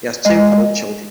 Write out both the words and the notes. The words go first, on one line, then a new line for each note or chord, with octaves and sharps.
He has two adult children.
G#3 D#5